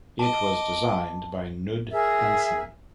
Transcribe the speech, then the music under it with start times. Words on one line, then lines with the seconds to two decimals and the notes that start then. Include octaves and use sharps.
It was designed by Knud Hansen.
0.19 D#5 A5 D6
1.92 G#4 A#4 E5